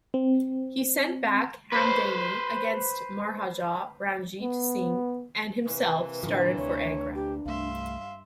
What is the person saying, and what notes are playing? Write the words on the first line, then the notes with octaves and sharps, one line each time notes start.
He sent back Hamdani against Maharaja Ranjit Singh and himself started for Agra.
C4
B4 C5
B3
C3 E3 A#3 B4
A2 D3 F3 D4
D2 C#5
G4
C2 G2 A3 E5 F5 C6